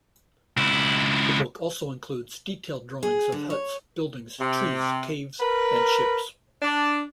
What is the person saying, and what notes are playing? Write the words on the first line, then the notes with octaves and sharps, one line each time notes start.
The book also includes detailed drawings of huts, buildings, trees, caves, and ships.
C#2 E4
G#4
D3
C#5
C3
A#4 B4
D4